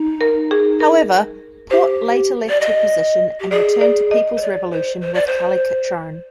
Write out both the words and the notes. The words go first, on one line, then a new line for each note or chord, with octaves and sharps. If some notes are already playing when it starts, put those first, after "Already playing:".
However, Port later left her position and returned to People's Revolution with Kelly Cutrone.
Already playing: D#4
A#4
G#4
A#4
G4 C5
D5
D#5
G4
G#4 D5
D5
D#5
C5
D5
C5
C5
D5
C5